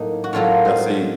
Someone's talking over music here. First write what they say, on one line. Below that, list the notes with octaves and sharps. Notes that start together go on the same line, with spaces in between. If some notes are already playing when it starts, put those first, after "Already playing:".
Now, see,
Already playing: A2 F#3 A#3 D#4
F#4
A2 F#3 A#3 F4 A4
C5 D#5